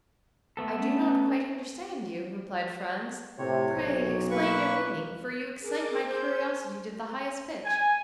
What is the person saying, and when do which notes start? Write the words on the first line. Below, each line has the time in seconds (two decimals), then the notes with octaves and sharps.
"I do not quite understand you," replied Franz; "pray explain your meaning, for you excite my curiosity to the highest pitch."
0.57 A3 B3 A4
0.79 C#4
3.38 A2 C3 C#5
3.73 B1
4.30 A#3 B4 C#6
5.59 G#4 A#4 D6
6.01 C5 E6 G6
7.64 G#5